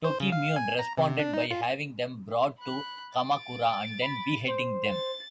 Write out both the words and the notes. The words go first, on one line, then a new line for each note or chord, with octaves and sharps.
Tokimune responded by having them brought to Kamakura and then beheading them.
C5
C#3
F5
G#5
A#5
C3
D4
D#4
F4
B5 F#6
A6 D7
B5
C5
A6